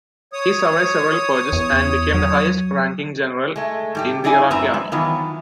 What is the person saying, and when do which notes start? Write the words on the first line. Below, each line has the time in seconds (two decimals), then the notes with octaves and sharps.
He survived several purges and became the highest-ranking general in the Iraqi Army.
0.33 C#5 D#6
1.53 E2
2.14 F#3
3.56 G#3 A3
3.95 G#2 G3 G4
4.24 F#3 D#4 E4 D5 G#5
4.51 F#2 A2 C4 B4 E5 A#5
4.74 G#3
4.92 D#3 E3 F#3 B3 F4